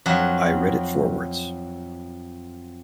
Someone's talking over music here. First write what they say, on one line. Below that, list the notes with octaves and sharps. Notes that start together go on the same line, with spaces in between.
I read it forwards.
F2 F#3 F#4